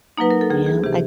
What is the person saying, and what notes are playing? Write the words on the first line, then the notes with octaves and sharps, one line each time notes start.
Yeah, I
F#3 A#3 D#4 B4
A#4
A4
D2 G#4
G#4
C3 E3 G4